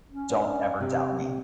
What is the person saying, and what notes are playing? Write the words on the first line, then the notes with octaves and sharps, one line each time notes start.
"Don't ever doubt me,"
C#4
D4
C3